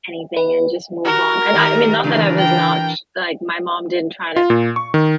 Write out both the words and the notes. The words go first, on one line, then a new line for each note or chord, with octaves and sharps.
anything and just move on, and I I mean, not that I was not like, my mom didn't try to
B4
F#4 A#4
D#3 G3 G4
C#3 E3 D4 A#4
G5
F4
A#2
C#6
D#3